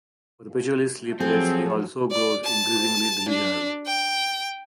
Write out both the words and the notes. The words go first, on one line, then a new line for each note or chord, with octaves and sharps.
Perpetually sleepless, he also grows increasingly delusional.
F3 F#3 C4 G#4 A4
D5
A5
D4
G5